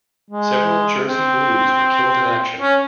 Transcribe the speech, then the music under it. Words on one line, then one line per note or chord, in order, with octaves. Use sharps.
Several Jersey Blues were killed in action.
G#3
C4
C#4